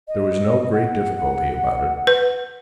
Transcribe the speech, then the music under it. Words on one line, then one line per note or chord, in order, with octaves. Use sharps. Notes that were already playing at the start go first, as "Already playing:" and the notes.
There was no great difficulty about it.
D#5
F#5
B4